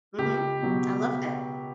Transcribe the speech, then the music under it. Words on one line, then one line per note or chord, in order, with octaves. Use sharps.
Mhm, I love that.
C#2 G4
B2 F#3